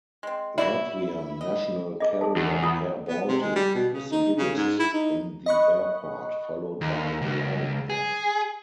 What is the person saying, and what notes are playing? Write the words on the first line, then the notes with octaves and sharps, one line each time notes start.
Latvian national carrier airBaltic is the biggest in the airport, followed by Ryanair.
G#3 C4
C#3 E4 F#4 D5
D#5
G#4 D#5
G#4 A4 A5
E2
F4 B5 D#6
B3
C3
G#3
G3
B2
C#3
D#4
C#3
G#2
E4
D#4
D#5 B5 C#6 F#6
D#2
C#2
G#4